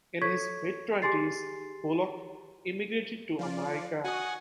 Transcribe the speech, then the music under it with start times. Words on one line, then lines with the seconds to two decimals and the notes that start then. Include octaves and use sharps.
In his mid-twenties, Bullock immigrated to America.
0.22 A4 C#5 C#6 G#6 B6
1.02 G4 G#4 G#5 C6 A6 C7
3.39 F3 F4 D5
4.04 F#4 F#5 G#5 C#6 D#6